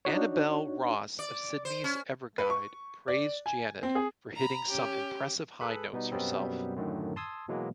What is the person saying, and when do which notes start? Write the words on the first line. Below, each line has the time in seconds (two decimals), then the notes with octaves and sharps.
Annabel Ross of Sydney's "Everguide" praised Janet for "hitting some impressive high notes herself".
0.05 D4 D#4 F#4 C#5
1.19 D5
1.65 C5
1.84 C#4
2.38 B4
2.50 C#6
3.08 D5
3.46 G#5
3.83 C4
3.95 G#4
4.36 A#5 B5
4.68 C#4 G4
5.61 G#4 A4 B4 B5
5.93 B2 G3 B3 D#4
6.12 F#2 B2 F#3 G3 B3 C4
6.76 F#2 A2 D3 D#3
7.16 A5 C6 D#6 E6 G#6
7.48 B2 E3 F#3 G#3 A#3 B3